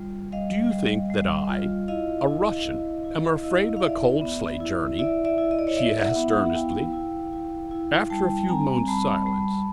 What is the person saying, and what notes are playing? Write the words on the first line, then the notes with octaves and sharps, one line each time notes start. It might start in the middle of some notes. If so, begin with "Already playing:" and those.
"Do you think that I, a Russian, am afraid of a cold sleigh journey?" she asked earnestly, after a few moments' silence.
Already playing: G3 F4
G3 D#5 F5
G3
G3
F4
E4 D#5 F5
E4
E4
E4
E4 D#5 F5
F5
E4 D5 E5
B3
E4
E4 D5 E5
D5 E5
E4
D#5
D5
C#5 D#5
E4 D5 E5
E5 F#5
B3
E5 F#5
E4 F5 G5
E4
E4
E4
G3 G5 A5
C4 G#5 A#5
G3 A5 B5
G3